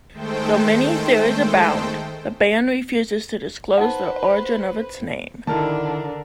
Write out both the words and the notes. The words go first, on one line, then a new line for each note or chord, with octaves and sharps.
Though many theories abound, the band refuses to disclose the origin of its name.
D#3 G#3 A3 A4 C5 G5
D#4 B4 C5 F#5
B5
D3 D#3 D4 E4 A4 A#4 A5